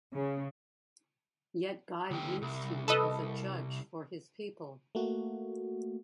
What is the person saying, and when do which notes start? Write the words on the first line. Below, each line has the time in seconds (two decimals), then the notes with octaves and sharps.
Yet God used him as a Judge for His people.
0.14 C#3
2.11 D2 G4
2.42 C2
2.88 A4 B4 D#5
4.95 A3 A#3 F#4